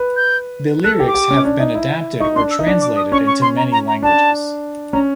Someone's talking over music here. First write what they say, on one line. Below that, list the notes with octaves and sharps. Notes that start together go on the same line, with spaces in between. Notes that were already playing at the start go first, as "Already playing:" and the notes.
The lyrics have been adapted or translated into many languages.
Already playing: B4
G6
A4 F#6
G4
D6
G4
C#4
D4
D#4
E4
D#4 C#6
D4 C6
E6
D#4
D4
D6
D#6
C#4 C#6
C#6
C6
A#5
A#5
A#5
D4 A5
C#4 A#5